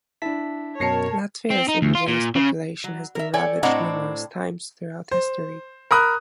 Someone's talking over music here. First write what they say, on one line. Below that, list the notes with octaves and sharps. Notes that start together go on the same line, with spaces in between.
Latvia's indigenous population has been ravaged numerous times throughout history.
D4 E4 A5 B6
F#2 B2 A#4 C#5 A5 A#6 C7 C#7
C4
D#4
D2
F4
A#2
C#3
F#3
A#4 E5
A4 C#5 D5 G5 G#5
A2 C4 D4 D#5 F#5 A#5
C5
A#4 B5 D#6 F#6